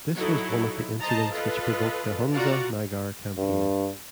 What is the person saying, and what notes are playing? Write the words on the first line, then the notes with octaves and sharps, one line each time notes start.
This was one of the incidents which provoked the Hunza-Nagar Campaign.
F#3 D#4 E4 A4
C5 D#5 A5 A#5
F4 A4 B4 D#5
F4 F#4 D5 A#5
G2